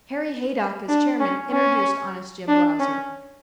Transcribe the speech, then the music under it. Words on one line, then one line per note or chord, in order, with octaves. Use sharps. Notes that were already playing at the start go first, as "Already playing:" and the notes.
Harry Haydock, as chairman, introduced Honest Jim Blausser.
D4
C#4
C#4
D4
C#4